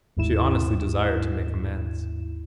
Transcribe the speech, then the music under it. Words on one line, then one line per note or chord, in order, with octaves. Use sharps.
She honestly desired to make amends.
G1 D#2 G#2 E4 E7